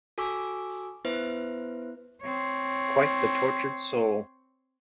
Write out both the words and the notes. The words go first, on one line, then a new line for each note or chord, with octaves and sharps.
Quite the tortured soul.
F#4 A4 G#5 C#6 D6 E6
B3 E4 B4 C5 E5
C4 C#5